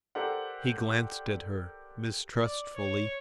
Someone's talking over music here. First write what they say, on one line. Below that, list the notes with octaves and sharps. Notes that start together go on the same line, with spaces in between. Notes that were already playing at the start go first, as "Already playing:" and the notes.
He glanced at her mistrustfully.
G4 A4 A#4 C5 D5 F#5
D5
C#5